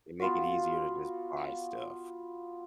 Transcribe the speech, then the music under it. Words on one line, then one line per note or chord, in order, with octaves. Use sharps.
they make it easier to just buy stuff.
B3 F4 F#4